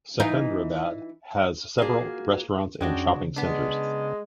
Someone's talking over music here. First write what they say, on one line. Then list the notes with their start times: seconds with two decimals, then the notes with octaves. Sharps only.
Secunderabad has several restaurants and shopping centres.
0.20 E3 D#4 F4
1.78 A#3 F4 F#4 G#4
2.81 F2 G#3 C#4 D4 F#4 G5
3.16 C#3
3.36 G#3 B3 D4